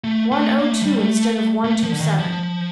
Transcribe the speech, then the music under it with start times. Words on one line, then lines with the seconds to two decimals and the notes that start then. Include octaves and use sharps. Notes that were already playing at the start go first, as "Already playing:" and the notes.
One O Two instead of One Two Seven.
0.04 A3
0.32 A3
0.59 A#3
0.71 A3
0.81 F3
0.85 G3
0.99 A3
1.64 A3
1.83 F3
1.92 D3
2.00 D#3
2.19 F3